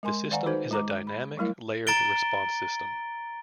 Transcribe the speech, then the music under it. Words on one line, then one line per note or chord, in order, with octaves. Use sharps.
The system is a dynamic layered response system.
G#3 A#4 G#5 C6
D#3 D5 F5 F#5 G#5 A#5
D#4 F#4 A4 B4 C5
G#3 A#5 D6
B5
F#3 G3 A3 E4 A#4 F5
A#5 A6 D7 G7